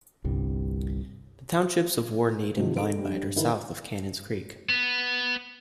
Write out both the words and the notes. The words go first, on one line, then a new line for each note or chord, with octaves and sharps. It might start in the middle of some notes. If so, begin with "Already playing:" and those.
The townships of Warneet and Blind Bight are south of Cannons Creek.
G1 C2 G2 G3
C3 D#3 F3 F#3 G#3
G#2 A4 D7
G2 G3
D#3 E4 A#4 B4
B3